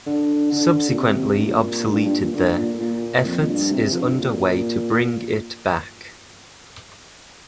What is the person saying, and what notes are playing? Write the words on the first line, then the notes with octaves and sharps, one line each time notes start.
Subsequently obsoleted there, efforts is under way to bring it back.
D3
D3
A#2
C3
G2
A#2
G2
G2
A#2
D3
A#2
A#2
F2
A#2
G2
C3
F3
D3
C3
A#2